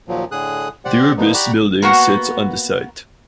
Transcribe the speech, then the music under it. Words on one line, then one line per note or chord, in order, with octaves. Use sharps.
The Urbis building sits on the site.
D#2 A#2 F3 F#3
A2 D3 G#4 D#6 F#6
G4 C5 D5 F#5
D3 F3 A#3 B3 D#4
G4 D5 F#5 A#5 B5 C#6
A#3 B3 F#4 F#5